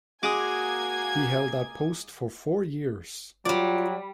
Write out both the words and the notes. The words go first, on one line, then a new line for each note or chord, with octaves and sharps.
He held that post for four years.
G#3 A#3 F#4 G#5 D6 D#6 G#6
F#3 G3 F4 D5